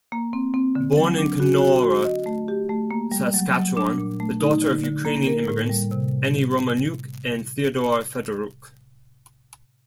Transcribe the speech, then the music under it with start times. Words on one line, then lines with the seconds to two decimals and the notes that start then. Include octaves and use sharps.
Born in Canora, Saskatchewan, the daughter of Ukrainian immigrants, Annie Romaniuk and Theodore Fedoruk.
0.12 A#3
0.33 C4
0.54 C4
0.75 D3
0.97 F#3
1.18 D4
1.40 F#4
1.61 F#4
1.83 F#4
2.05 D#5
2.26 A3
2.48 G4
2.69 A3
2.91 A#3
3.12 G3
3.34 F#3
3.55 F#3
3.77 D4
3.98 A#2
4.20 A3
4.41 D#4
4.62 D3
4.84 D3
5.05 A#3
5.27 A#4
5.48 A2
5.69 G3
5.91 C3